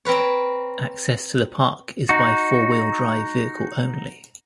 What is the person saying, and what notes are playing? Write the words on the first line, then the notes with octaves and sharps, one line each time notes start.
Access to the park is by four-wheel-drive vehicle only.
C4 A#4 B4 C#5
D#4 F#4